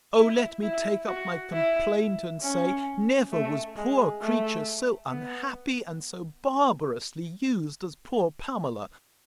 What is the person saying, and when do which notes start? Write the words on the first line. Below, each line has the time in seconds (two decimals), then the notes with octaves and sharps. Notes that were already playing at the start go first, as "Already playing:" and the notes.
O let me take up my complaint, and say, Never was poor creature so unhappy, and so barbarously used, as poor Pamela!
0.18 E4
0.63 E4
1.08 F#4
1.53 E4
2.42 C#4
3.32 A3
3.77 G#3
4.22 A3
5.11 B3